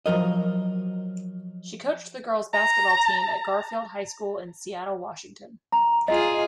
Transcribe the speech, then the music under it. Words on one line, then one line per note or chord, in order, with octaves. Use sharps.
She coached the girls' basketball team at Garfield High School in Seattle, Washington.
F3 F#3 A#4 D#5
A#5
A#5
F4 G#4 D#5